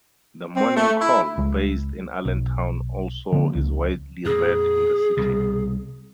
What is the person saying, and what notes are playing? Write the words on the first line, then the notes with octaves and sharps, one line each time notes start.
"The Morning Call", based in Allentown, also is widely read in the city.
C4
A3
E4
C#2 G#3
B1
D3 F3 A#3 C4
C#2
F2 A#2 G#4
C2 B2